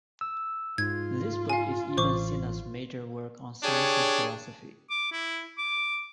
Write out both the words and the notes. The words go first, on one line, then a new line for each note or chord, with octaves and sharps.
This book is Ibn Sina's major work on science and philosophy.
E6
G#2 F4 G#6
F5 G#5
A1 C5 C#6 D6
D4 G4 G#4 C#5
D6
E4
D6